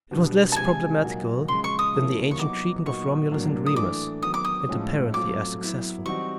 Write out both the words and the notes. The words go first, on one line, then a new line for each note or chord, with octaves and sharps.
It was less problematical than the ancient treatment of Romulus and Remus, and apparently as successful.
B2 G3 B3 D4
A5
C3 F3 G#3 G#5
A#2 F#3 A#3 D#4 F#4
C#3 F3 G#3 C6
C#6
D#6
C3 F3 A#3 C#4 E4
C#6
F#3 B3 D#4 F#4 D6
A#2 F#3 B3 D#4 F#4 C#6
A2 F#3 A#3 D4
D#6
E3 A3 D4 D6
D#3 F#3 B3 D#6
D6
D#6
A2 F3 G#3 C#4 F4
F#3 A3 C4 F4 D6
F#3 B3 E4
E3 G3 C4 D#4 F#4 C#6